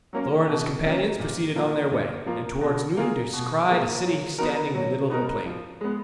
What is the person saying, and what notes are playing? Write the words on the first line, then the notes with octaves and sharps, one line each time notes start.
Thor and his companions proceeded on their way, and towards noon descried a city standing in the middle of a plain.
F#3 A#3 C#4
B2
F#3 A#3 C#4
A#2
F3 A#3 F4
A#2
F3 A#3 F4
B2
A#3 F4 G#4
B2
A#3 F4 G#4
F#3
B3 D#4 F#4 A#4
F#3
B3 D#4 F#4 A#4
F3
G#3 B3